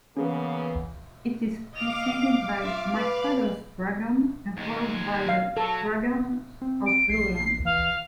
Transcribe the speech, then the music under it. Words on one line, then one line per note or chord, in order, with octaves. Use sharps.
It is preceded by "My Father's Dragon" and followed by "The Dragons of Blueland".
C#3 E3 A#3 B3 C#4 G#4 B4
D#5 F5 D6 F7
F4 E5
B4
D#2 G#3
F5
F#3 A4
C4
D7
A#1 C7
E3 F5